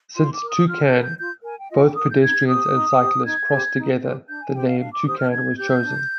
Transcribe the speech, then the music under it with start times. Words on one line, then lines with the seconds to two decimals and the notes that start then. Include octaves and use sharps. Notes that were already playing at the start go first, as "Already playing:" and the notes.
Since "two-can", both pedestrians and cyclists, cross together, the name "toucan" was chosen.
0.16 F4 C6
0.33 D6
0.41 A#4
0.50 D#6
0.67 F4 F6
0.84 G6
0.93 A#4
1.02 G6
1.19 F4 G6
1.44 A#4 G#5
1.58 G5
1.70 F4 D#5
1.83 G5
1.96 A#4 D#6
2.09 G6
2.22 D#4 G#6
2.47 G4 C5 D#6
2.73 D#4
2.99 G4 C5
3.25 D#4 G#6
3.51 G4 C5
3.77 D#4
4.02 G4 C5
4.28 D4 G6
4.41 G#5
4.53 G4 C5 G5
4.67 F5
4.79 D4 F5
4.92 D6
5.05 G4 C5 D#6
5.18 F6
5.31 D4 G#6
5.57 G4 C5 G6
5.82 D4